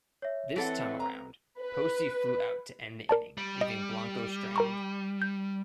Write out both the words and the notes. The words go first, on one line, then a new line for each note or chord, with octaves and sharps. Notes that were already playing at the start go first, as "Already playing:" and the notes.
This time around, Posey flew out to end the inning, leaving Blanco stranded.
C#5 E5
E3 C4 A4 B4 F#5
A#5
B4
A#4 D5 A5
G3
D#5
A#4 A#5 C#6
G6